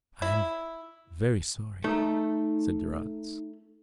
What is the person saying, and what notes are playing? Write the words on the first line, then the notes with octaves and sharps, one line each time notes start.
"I am very sorry," said Durrance.
E4
A3 D#4